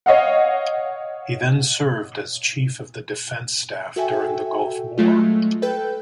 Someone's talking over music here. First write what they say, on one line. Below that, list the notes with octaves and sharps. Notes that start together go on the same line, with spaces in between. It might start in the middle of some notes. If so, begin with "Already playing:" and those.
He then served as Chief of the Defence Staff during the Gulf War.
C#5 D#5 F5 F#5
F#4 A4 E5 G5 G#5
F#3 G#3 A3 F4
A4 B4 G5 G6